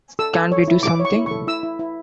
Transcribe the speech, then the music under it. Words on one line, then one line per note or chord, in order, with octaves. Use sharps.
Can't we do something?
A4 E6
A4
C#5
E4
E4 D6
C#5
C#6
E4
A4 C#6
E4 E6
E4
E4